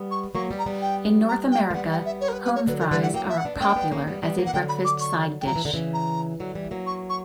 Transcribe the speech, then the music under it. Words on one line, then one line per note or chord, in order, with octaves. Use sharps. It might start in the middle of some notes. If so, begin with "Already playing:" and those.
In North America, home fries are popular as a breakfast side dish.
Already playing: G3 B3
C#6
F#3 A#3 C#6
G3 B3
A#5
G3 B3
G5
A#5
G5
A#3
G3 B3 F#5
G5
E5
C#5
A#4
B4
B4
C#5
D3 F#3 B4
A#4
E3 G3 B4
F#5
F#3 A#3 G5
E5
F#5
B3 D4
D4
A#3 C#4 G5
B3 D4
A#3 C#4
G3 B3
G3 B3
F#3 A#3
E3 F#5
D3 F#3 G5
B5
D6
C#6
G5
F#3 A#5
E3
D3
C#3 E3
A#5
D3 F#3
E3 G3
F#3 A#3
C#6
C#6